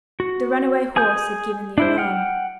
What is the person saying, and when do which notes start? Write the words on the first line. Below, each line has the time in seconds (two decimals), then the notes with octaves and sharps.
The runaway horse had given the alarm.
0.20 F#4
0.96 G#4 G#5 D#6 G6
1.78 D4 E4 C5
1.98 F#5 G5 F6